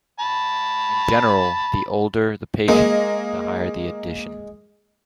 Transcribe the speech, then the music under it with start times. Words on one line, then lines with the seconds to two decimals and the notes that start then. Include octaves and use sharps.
In general the older the patient, the higher the addition.
0.20 A5 B5
2.68 G#3 A#3 D#5